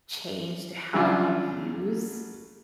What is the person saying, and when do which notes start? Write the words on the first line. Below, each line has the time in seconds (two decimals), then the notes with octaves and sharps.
changed how you use,
0.94 C#3 F#3 G3 D4 F4